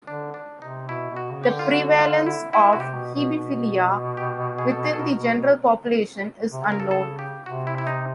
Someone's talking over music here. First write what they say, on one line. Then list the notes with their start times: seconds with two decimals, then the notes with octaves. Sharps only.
The prevalence of hebephilia within the general population is unknown.
0.07 D3 D4
0.34 D4
0.61 C3 D#4
0.89 B2 E4
1.10 B2
1.16 F#4
1.30 C#3
1.44 G4
1.51 D3
1.59 F4
1.71 F#4
1.98 F4
2.26 E4
2.53 E4
2.73 C3 F#4
2.80 G4
2.94 B2
3.15 B2
3.35 B2
4.17 G4
4.58 G#4
4.72 A4
4.84 G#4
4.93 A4
5.00 A#4
6.52 C3
6.64 C#3 A4
6.72 A#4
6.80 A4
6.91 A4
7.19 G4
7.46 C3 F#4
7.67 E4
7.78 E4
7.87 D#4